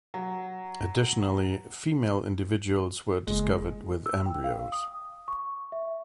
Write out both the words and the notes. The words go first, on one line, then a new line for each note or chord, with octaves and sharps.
Additionally, female individuals were discovered with embryos.
F#3
F#1 G#3
E6
G5
F5
D#6
C#6
E5